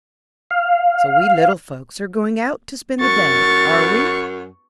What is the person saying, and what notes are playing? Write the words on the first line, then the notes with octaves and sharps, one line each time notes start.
"So we little folks are going out to spend the day, are we?"
F5
F#2 C#6 A6